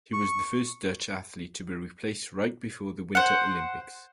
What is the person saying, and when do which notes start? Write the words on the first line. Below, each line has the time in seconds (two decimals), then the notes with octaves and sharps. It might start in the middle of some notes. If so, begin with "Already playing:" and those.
He was the first Dutch athlete to be replaced right before the Winter Olympics.
0.13 C#6
3.15 C5 F#5